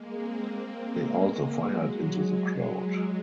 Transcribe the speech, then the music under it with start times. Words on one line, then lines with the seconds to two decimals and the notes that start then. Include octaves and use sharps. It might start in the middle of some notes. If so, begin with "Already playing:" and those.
They also fired into the crowd.
Already playing: G#3 A#3
0.11 A#3 C4
0.70 G#3 A#3
1.58 F#3 G#3